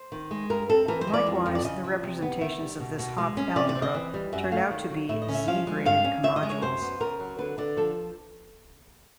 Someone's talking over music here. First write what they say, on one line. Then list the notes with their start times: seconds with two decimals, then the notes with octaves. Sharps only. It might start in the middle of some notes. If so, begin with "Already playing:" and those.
Likewise the representations of this Hopf algebra turn out to be Z-graded comodules.
Already playing: C5
0.12 D#3
0.31 G#3
0.50 G2 A#4
0.69 C4 A4
0.88 E3 A#4
1.01 C5
1.07 G#3
1.13 D5
1.27 F2
1.46 F2
1.55 D5
1.64 C#3 D#5
1.84 F3
2.03 C3
2.22 B3
2.41 D#3 E5
2.61 G3
2.80 B2
2.99 B2
3.18 G#3
3.37 C#4
3.56 C3 D5
3.69 D5
3.75 C4
3.82 D#5
3.94 E3
4.14 G3
4.33 F#2 E5
4.51 A3 F5
4.71 D#3
4.90 F#3
5.09 A2 E5
5.22 D#5
5.28 C#4
5.35 E5
5.48 F3 F5
5.67 G#3
5.85 G2 F5
6.04 C#4
6.23 D#3 E5
6.36 D#5
6.43 G#3
6.50 C#5
6.62 F#2 C5
6.82 B3
7.00 C#3 A#4
7.20 F#3
7.38 D3 B4
7.58 D3 D5
7.77 F3 A4